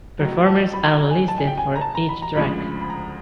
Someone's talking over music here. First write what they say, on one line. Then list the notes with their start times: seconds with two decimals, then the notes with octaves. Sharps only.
Performers are listed for each track.
0.19 A1 A2 F#3 A#5
0.46 A5
0.73 B5
0.91 A#5
1.10 G#5
1.28 A5
1.38 G#5
1.48 G5
1.57 G#5
1.76 A#5
1.81 A5
1.95 A#5
2.09 B5
2.22 A#5
2.36 D2 C#3 F3 G#3 B5
2.81 B5
2.90 A#5